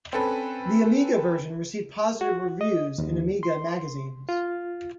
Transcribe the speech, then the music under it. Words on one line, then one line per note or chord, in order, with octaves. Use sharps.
The Amiga version received positive reviews in Amiga magazines.
C4 C#4 A4 B4
F#4
D#5
D#2
C6
F4